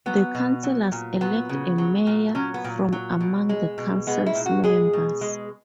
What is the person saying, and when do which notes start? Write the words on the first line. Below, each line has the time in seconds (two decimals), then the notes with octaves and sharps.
The councillors elect a mayor from among the council's members.
0.06 F#3 B3
0.35 B2
0.63 F#3
0.92 A#2
1.21 F#3 B3
1.49 C#3
1.78 F#3
2.07 A#2
2.35 F#3 C#4
2.54 B3
2.64 A#2
2.93 F#3
3.21 B2
3.49 G#3
3.78 B2
4.07 G#3 B3
4.26 E4
4.35 A#2
4.46 F#4
4.64 G#3 G#4
4.93 B2
5.21 G#3